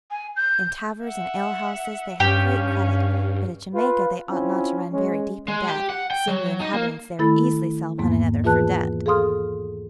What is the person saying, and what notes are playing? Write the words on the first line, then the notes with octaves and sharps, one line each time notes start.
In taverns and alehouses they have great credit; but at Jamaica they ought not to run very deep in debt, seeing the inhabitants there easily sell one another for debt.
G#5
G6
E5 F#5
G2 C#4 G4 F5
F4 B4
C4 C#4 E4 F4
G#3 C#4
G#3
G4
F#5
G5
F#3
D#4
A#3
D#3 A3 E4 A4 B5 A6
E2 G#2 A#3 B3
E3 F4 G#4 B4 A5 F#6
G#4 A4 F5 C6 D#6 F6